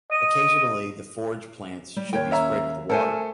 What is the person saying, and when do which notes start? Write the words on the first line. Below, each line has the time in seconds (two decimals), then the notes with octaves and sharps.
Occasionally the forage plants should be sprayed with water.
0.11 D#5 D#7
1.96 G3
2.13 D#2 A#4 C#5 G5
2.31 C#4 E5 A#5
2.90 A3 A4 A#4 C5 G#5